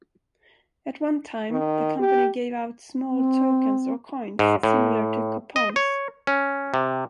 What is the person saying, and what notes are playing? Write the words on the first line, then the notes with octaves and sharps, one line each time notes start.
At one time, the company gave out small tokens or coins, similar to coupons.
D#3
G4
C4
G#2
A2
D#5
C#5
C#4
C3